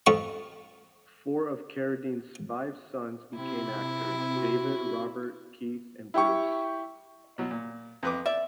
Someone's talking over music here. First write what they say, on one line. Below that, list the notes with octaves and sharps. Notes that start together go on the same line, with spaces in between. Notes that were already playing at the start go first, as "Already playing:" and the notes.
Four of Carradine's five sons became actors: David, Robert, Keith, and Bruce.
F2 C#6
C3 E4
F#4
E4 G4 G5 C#6
B2 F#3
A#2
F2 B4 D6
D5 E5